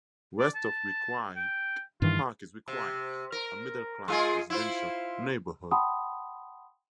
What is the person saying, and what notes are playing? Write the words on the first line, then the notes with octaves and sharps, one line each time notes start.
West of Weequahic Park is Weequahic, a middle-class residential neighborhood.
D5
A5
G5
G2 D#3 E3 F4
C3
A#4
G#3 F4 G#4
E4 F4 C5
F#5 G5 A5 B5 C6 D#6